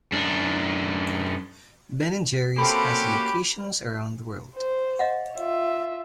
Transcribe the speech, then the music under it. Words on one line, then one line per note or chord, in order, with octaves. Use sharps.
Ben and Jerry's has locations around the world.
F#2 D4
A#3 C4 C#4 F#4 G4 A4 F5 B5
C5
D#5 F5 F#5
F4 E5